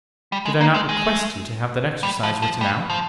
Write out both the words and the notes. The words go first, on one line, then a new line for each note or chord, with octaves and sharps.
"Did I not request you to have that exercise written out?"
G3
G#3
A#3
G#3
G#3
G3
F3
F3
G3
F3